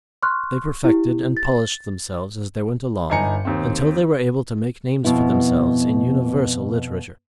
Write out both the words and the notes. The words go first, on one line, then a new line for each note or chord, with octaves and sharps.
They perfected and polished themselves as they went along until they were able to make names for themselves in universal literature.
C6 C#6 F6 F#6
E4 G4
A6
G1 D#4 G#5 A#5 C#7
D#2 C4
F2 B2 B3 E4